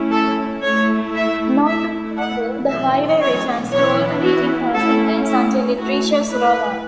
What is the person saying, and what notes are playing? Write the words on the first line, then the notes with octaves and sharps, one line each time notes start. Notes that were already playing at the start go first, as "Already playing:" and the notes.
North of Cabool, the highway returns to alternating passing lanes until it reaches Rolla.
Already playing: A3 C#4 E4
A4
A3 E4 C#5
E5
A3 E4 E5
F#5
E3 A3 C#4 E5
C#5
E3 B3 E4 C#5
F#4
A3 C#4 E4 A4
E4
A3 E4 F#4
B4